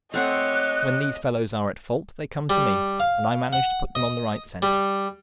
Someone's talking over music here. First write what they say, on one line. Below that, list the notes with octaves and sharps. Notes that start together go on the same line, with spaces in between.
When these fellows are at fault they come to me, and I manage to put them on the right scent.
A3 C4 G4 C#5 D#5 F#5 F#6
G3
F5
F#5
D#5
G3